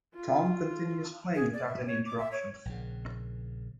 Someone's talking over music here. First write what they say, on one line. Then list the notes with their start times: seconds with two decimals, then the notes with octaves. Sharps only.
Tom continues playing without any interruptions.
0.14 F4
1.35 G#4
1.54 D5
1.67 E5
1.86 C#5
2.06 D6
2.18 E5
2.32 C#5
2.65 A#1 C#3